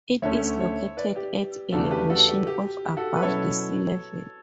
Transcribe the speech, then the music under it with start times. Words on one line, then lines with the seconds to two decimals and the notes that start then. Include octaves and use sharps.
It is located at elevation of above the sea level.
0.22 D2 D3 A3 C#4 C#5 E5
0.60 C#5 E5
0.97 B4 D5
1.16 G4
1.72 E2 C#3 E3 A3 D4 F#4 A4
1.91 G4 B4
2.10 F#4 A4
2.28 G4
2.47 G4
2.85 G4
2.97 F#4 A4
3.16 B4
3.22 B2 F#3 C#4 E4 A4 C#5